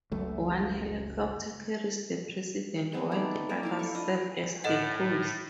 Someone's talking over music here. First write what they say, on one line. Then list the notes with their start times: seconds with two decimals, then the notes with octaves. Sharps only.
One helicopter carries the President, while the others serve as decoys.
0.12 F#1 C#2 F#2 A3
2.92 G#3 B3 C4
3.11 D#3 A3 D#4 D5
3.49 A#3 D#4 D5
3.63 E4 A#4 F5
3.79 A4 C#6
3.94 D4 E4 F4 D#5
4.64 A2 A4 D#5 F#5